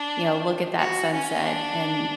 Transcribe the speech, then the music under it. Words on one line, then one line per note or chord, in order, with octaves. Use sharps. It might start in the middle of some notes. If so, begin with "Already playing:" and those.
you know, look at that sunset and
Already playing: D4
F#4
C#4
D4